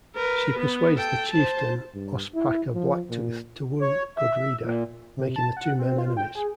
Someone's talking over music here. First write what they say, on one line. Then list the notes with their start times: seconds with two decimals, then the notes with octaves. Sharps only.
She persuades the chieftain Ospakar Blacktooth to woo Gudrida, making the two men enemies.
0.15 A#4 B4
0.59 B3
0.97 A4 G5
1.33 C5 A5
1.94 G2
2.34 E4
2.75 F3
3.10 A#2
3.82 C#5
4.17 E5
4.63 A#2
5.17 C3
5.36 A5
5.57 F#5
5.78 C4
5.98 F4
6.17 G5
6.35 G#4